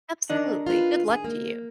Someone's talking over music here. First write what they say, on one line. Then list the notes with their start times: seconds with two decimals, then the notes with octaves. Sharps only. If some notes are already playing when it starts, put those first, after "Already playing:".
Absolutely, good luck to you.
0.30 D#3 D4 D#4
0.66 F4 B4
1.10 G#4
1.24 A#3